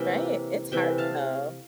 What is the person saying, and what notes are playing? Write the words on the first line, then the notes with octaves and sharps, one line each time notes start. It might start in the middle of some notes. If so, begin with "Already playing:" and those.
Right, it's hard, though.
Already playing: C3 E3 A#3 E5 G5
C3 E3 A3 E5 G5
F5 A5